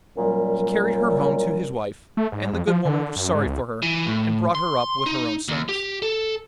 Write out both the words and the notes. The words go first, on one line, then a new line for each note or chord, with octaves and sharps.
He carried her home to his wife, and the good woman was sorry for her, and brought her up with her own sons.
F#2 A#2 F#3 G3
A3
G#2
F2
F3
D3
D3
F#2
G#2
C#2
E3
A2
C6
D#4
D#2
G4
A4